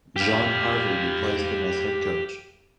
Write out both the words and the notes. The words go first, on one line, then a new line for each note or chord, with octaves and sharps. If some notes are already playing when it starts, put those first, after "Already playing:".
John Harvey replaced him as head coach.
G4 F5